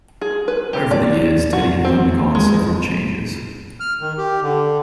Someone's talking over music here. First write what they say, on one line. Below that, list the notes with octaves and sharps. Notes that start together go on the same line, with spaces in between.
Over the years, Teddy has undergone several changes.
G#4
B4
G4
D5
F#4
C4
G#3
F6
D#3
G4
D3